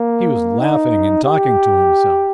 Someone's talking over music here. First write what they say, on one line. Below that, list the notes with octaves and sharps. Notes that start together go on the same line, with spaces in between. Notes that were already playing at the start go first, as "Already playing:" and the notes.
He was laughing and talking to himself.
Already playing: A#3
D#4
G4